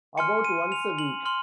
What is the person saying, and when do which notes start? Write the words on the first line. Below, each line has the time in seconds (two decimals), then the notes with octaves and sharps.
About once a week.
0.18 G#5 C6 F6 C#7
0.45 D#7
0.72 F7
0.98 F#7
1.25 C6 F6 F#7